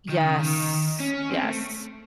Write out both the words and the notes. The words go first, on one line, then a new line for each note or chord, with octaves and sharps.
Yes, Yes.
D#3
C#3
D#3
C#4
C4
A3